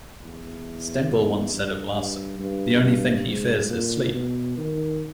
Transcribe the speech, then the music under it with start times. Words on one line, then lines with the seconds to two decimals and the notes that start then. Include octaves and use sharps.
Stengel once said of Larsen, The only thing he fears is sleep!
0.21 E2
1.52 G2
1.96 G2
2.39 G2
2.83 G2
3.27 G#2
3.70 A#2
4.14 B2
4.57 D#3